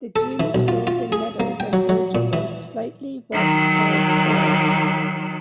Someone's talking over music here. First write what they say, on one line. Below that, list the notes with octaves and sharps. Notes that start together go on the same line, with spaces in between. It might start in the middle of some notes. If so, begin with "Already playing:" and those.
The genus grows in meadows and verges on slightly wet porous soils.
A4
E3
B1
F4
F4
G#4
A#3
G5
F#3
F#3
A#2
E3
D#3 F#3